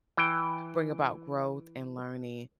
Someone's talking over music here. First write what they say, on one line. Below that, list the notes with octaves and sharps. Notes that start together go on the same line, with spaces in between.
bring about growth and learning.
E3 G5